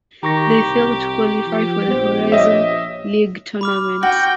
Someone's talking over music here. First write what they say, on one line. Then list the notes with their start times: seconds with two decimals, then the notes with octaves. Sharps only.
They failed to qualify for the Horizon League Tournament.
0.23 D#3 G4 A#5 C#6 A#6
0.60 C2
1.47 F3
1.88 A#1 B3 C5
2.32 C#5 D#5 E5
3.61 B5 D6 F6
4.03 F#4 G5